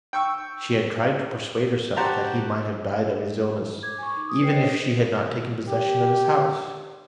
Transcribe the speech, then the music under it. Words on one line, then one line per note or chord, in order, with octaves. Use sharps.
She had tried to persuade herself that he might have died of his illness, even if she had not taken possession of his house.
G5 C#6 E6
F#4 G4 C5 A5 A#5
D6 G#6
G#5 C#6
D#4
D#6
B4 G5 C7 C#7
C5 C#5 D#5
G4